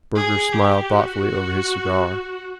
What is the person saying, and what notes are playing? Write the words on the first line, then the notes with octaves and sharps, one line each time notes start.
Burger smiled thoughtfully over his cigar.
G#4
G4
F#4